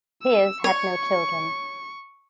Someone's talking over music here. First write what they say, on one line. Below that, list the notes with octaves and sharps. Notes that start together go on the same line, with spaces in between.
Pearce had no children.
E6
C#5 C#6